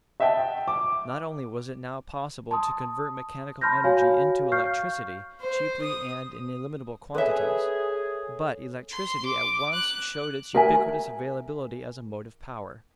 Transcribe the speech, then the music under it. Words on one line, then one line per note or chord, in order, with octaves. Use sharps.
Not only was it now possible to convert mechanical energy into electricity cheaply and in illimitable quantities, but electricity at once showed its ubiquitous availability as a motive power.
D#5 E5 F#5 G5 A5
D6
A5 C6 D#6
A5 B5 C6 F6 G6 A#6
F#4 C#5 F5 G#5
F5 C#6 F6 G6 C7
C5
D#6
G#4 A4 B4 C#5 E5
C6
D6
F#6
A#4 E5 G#5